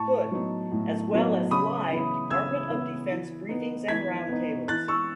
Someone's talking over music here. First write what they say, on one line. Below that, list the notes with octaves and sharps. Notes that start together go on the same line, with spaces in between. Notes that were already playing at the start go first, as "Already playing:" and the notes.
Hood, as well as live Department of Defense briefings and roundtables.
Already playing: A2 A5 C#6
F#3 B3 D#4
A2
F#3 B3 D#4
C#3 B5 D#6
E3 B3 E4
C#3 E6 G#6
E3 B3 E4
E3
B3 D#4
E3 G#6 B6
B3 D#4
E3 F#6 A6
C#6 E6